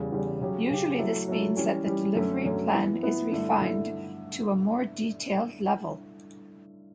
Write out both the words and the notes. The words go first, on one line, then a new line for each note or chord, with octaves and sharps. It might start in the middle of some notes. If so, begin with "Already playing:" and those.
Usually this means that the delivery plan is refined to a more detailed level.
Already playing: E2 C#3 G3
E2 C#3 G3
C#3 F#3 C#4 G4
C#3 F#3 C#4 G4
F#3 A3 E4 A4
F#3 A3 E4 A4
E3 G3 C#4 G4
E3 G3 C#4 G4
F#2 D3 F#3 A3 C#4
F#2 D3 F#3 A3 C#4
E3 B3 E4
E3 B3 E4
G2 D3 A3 E4
D3 A3 E4